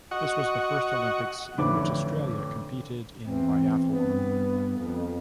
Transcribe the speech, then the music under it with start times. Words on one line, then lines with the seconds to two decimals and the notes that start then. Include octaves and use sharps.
This was the first Olympics in which Australia competed in biathlon.
0.11 F#4 D#5 F#5 C#6
1.58 A1 F2 D3 C#4 B5 D6
3.26 E2 C4
3.93 G2 B3
4.77 F2